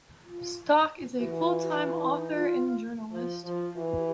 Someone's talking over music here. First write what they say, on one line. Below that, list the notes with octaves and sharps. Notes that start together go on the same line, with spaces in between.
Stock is a full-time author and journalist.
F4
E3 F#4
F4
F#4
F4
D#4
E4
D#4
F4
F3
F3
F4
E3 F#4
G4